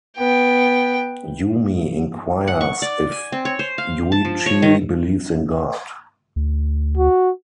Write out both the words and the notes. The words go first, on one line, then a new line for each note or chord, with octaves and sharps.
Yumi inquires if Yuichi believes in God.
B3 G5
F#5
C#6
D5
G#5
C4
C#5
C5
F5
A5
F3
C#5
D#3
D2
F#4